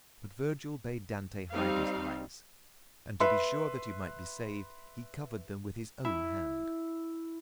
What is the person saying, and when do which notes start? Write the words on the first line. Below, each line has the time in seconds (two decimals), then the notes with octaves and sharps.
But Vergil bade Dante hide his eyes, and to be sure that he might be saved he covered them with his own hand.
1.52 G3 C4 D#4 F5
3.20 B4 E5 C6
6.05 E4